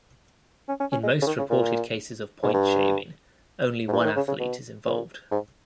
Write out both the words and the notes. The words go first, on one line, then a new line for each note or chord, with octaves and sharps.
In most reported cases of point shaving, only one athlete is involved.
C#4
C#4
C#4
G#3
C#3
D#3
C#3
A#2
G#2
G2
G#2
G2
E3
D#3
C#3
C#3
B2
A#2
G#2